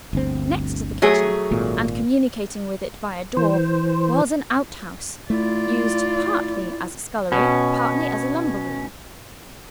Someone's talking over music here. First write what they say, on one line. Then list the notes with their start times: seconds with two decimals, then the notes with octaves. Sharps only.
Next to the kitchen, and communicating with it by a door, was an outhouse; used, partly as a scullery, partly as a lumber-room.
0.13 G1 D2 C4
1.02 F#3 A3 G#4
1.51 G#1 A#2
3.37 E3 C5
5.30 A3 E4 F4 D5
7.32 B2 C#4